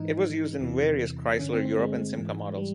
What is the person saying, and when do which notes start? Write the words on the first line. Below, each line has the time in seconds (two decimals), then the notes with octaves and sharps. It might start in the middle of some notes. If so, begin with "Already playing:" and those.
It was used in various Chrysler Europe and Simca models.
Already playing: G#2 E3 D#4
0.61 E2 C3 E3
1.39 G2 D3 C#4
1.53 C4
1.65 C4
1.79 G#3
2.17 G#2 E3
2.57 G3